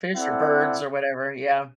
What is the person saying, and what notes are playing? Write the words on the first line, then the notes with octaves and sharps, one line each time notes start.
Fish or birds or whatever, yeah.
C4 E4 A4 D5 F#5